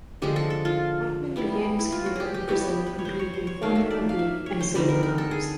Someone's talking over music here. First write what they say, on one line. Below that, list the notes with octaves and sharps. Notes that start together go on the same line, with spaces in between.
Hoffman began his career in Brazil competing in Formula Vee and saloon cars.
D3 F3 G#3 G4
A4
A4
F4
G3 B3 E4
E4
F4
F#4
G4 G#4
G4
G3 B3 E4 F#4
G4
B4
C#5
C5
C#5
C5
C#5
D#3 F#3 A#3 D4 F5
E5
D5
F5
E5
C#5
C5
D3 G3 C4 D#4 B4
A#4
A#4
A4
G#4